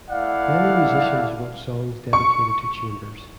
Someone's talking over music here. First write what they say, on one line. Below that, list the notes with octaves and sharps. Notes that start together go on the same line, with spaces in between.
Many musicians wrote songs dedicated to Chambers.
A3 E4 D5 F5 F#5
C#6